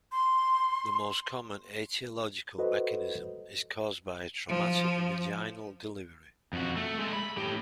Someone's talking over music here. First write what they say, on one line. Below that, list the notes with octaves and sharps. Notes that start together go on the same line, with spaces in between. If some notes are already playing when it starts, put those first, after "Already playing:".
The most common aetiological mechanism is caused by a traumatic vaginal delivery.
C6
F#4 A4 B4 C5 D#5
F3
F2 F#4
A3
G#3 A3
B5
A2 G4